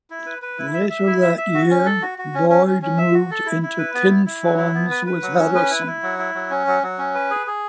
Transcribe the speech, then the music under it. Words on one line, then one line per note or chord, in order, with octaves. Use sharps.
Later that year, Boyd moved into Kinfauns with Harrison.
E4
B4
B4
E4
E5
E5
E4
E5
E5
F#4
C#4
A4
F#4
F#4
C#4
C#4
C#4
C#4
E5
F#4
A4
E4
E4
B4
B3
E4
E4
F#3
E4
B3
B4
B4
F#3
C#4
B4
E4
E4
F#3
E4
F#3
C#4
F#3
F#3
C#4
B4
G#4
G#4